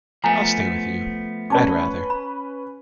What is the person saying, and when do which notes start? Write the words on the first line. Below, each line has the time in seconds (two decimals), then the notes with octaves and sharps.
I'll stay with you; I'd rather.
0.24 F3 A3 B3 G#5 A#5
1.50 C#4 B4 D5 A5 D6
2.10 B5